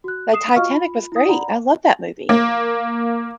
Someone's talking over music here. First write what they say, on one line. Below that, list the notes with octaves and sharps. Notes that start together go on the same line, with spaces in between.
The Titanic was great, I love that movie.
F#4 F#6
D#6 C7 E7
F4 F#4 D#5 F5 C#6 F6
F4 B5
E4 D#6
D5 F#5 A#5 B5
A#3